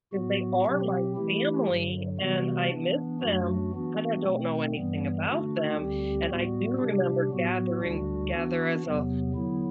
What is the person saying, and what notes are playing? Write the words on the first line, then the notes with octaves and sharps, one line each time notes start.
'cause they are my family, and I miss them, and I don't know anything about them. And I do remember gathering together as a
A2 F#3 B3 F#4
B2 F#3 C4 G4
E3 A3 E4 G4
G2 D3 F#3
C3 E3 G3 B3 F#4
E3 B3 D4
F#2 F#3 A3 D4 F#4
E3 B3 D4 F#4
B2 A3 C4
G2 E3 G3 B3
D3 A3 D4 F#4
D2 D3 G3 C4 G4
A2 G3 B3 F#4
C3 G3 D4 G4
A2 F#3 B3 F#4
D2 D3 G3 D4 F#4
E3 B3 D4 F#4
E2 C3 F#3 B3
D3 F#3 B3 E4